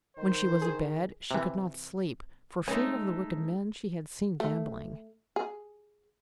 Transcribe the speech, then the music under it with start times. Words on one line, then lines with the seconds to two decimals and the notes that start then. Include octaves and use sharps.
When she was abed she could not sleep for fear of the wicked men she had seen gambling.
0.17 D#3 C5
0.61 G#4
1.31 C3 E3
2.68 G#3 A3 C#4 D#4
4.40 A3
5.36 G#4